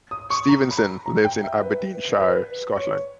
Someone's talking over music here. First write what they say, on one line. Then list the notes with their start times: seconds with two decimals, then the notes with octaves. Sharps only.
Stevenson lives in Aberdeenshire, Scotland.
0.11 D#6
0.30 C#6
0.49 A#5
0.71 B5
0.77 A#5
1.06 A#5
1.25 G5
1.44 E5
1.63 B4
2.19 B4
2.76 C#5